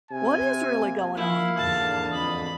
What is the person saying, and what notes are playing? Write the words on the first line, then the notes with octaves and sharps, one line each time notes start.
What is really going on?
C3 G#5
A#3
F3 A#3 E4 F5
E2 G#2 D3 A5
F2 B5 D#6